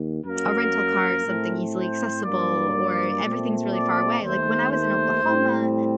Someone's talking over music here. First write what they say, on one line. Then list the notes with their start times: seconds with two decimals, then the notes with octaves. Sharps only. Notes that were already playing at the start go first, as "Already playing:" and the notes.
a rental car or something easily accessible, or everything's really far away. Like, when I was in Oklahoma,
Already playing: D#2
0.24 F#2 F#3 A#3 A#4
1.25 A2 A3 C4
1.74 C5
2.23 G2 F#3 A#3 D5
3.23 A#2 A3 C4
3.73 D5
4.22 D#2 D#3 A3 C5
4.72 C5
5.21 A2 G3 C4